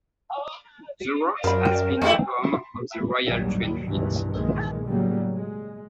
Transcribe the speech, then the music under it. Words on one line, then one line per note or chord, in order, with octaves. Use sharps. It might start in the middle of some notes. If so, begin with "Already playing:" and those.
The Works has been the home of the Royal Train fleet.
F#2 F3 A#4 B5
G5
F2 D#3 G#3 A3 C4 E4
A#1 D#2 G#2 D#3 F#3 G3
C#2 G2 B2 D#3 E3
B1 A#2 D#3 E3 G#3
A2 C#3 F#3 G3 A#3
G#3